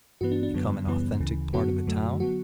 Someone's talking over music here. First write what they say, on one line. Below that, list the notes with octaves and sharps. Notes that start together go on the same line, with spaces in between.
Become an authentic part of the town?
G2 E3 B3 F#4
D4
D4
F#2 D3 F#3 B3
F#2 C#3 E3 G3 B3
D2 C#3 E3
F#2 D3 F#3 B3 F#4
F#2 D3 F#3 A3
D3 F#3 B3 F#4